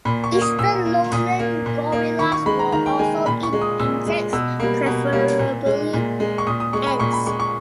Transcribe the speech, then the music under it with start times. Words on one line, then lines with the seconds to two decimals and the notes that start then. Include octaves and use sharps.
Eastern lowland gorillas will also eat insects, preferably ants.
0.05 A#2 B5
0.24 C#6
0.32 A#3
0.42 D#6
0.58 A#2 E6
0.86 A#3
1.12 A#2 D#6
1.39 A#3
1.66 A#2
1.92 A#3
2.19 D#3 C#6
2.32 C#6
2.46 G#3 B5
2.59 A#5
2.72 D#3 A#5
2.86 G5
2.99 G#3 G#5
3.26 A#2 B5
3.43 C#6
3.53 G#3
3.62 D#6
3.79 A#2 E6
4.07 G#3
4.33 B2 E6
4.60 G3 A#3
4.86 B2
5.13 G3 A#3
5.39 A#2
5.66 G#3
5.93 A#2
6.20 G#3
6.38 C#6
6.47 A#2 D#6
6.60 D#6
6.73 G#3 C#6
6.87 B5
6.99 A#2 C#6
7.13 B5
7.26 G#3 C#6
7.40 C#6